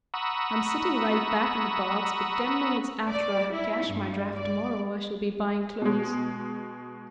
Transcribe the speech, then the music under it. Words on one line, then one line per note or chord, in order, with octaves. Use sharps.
I am sitting right back in the box, but ten minutes after I have cashed my draft tomorrow I shall be buying clothes.
F#5 A#5 B5 C#6 D#6 E6
D5
E4
G2
D5
B2 G#3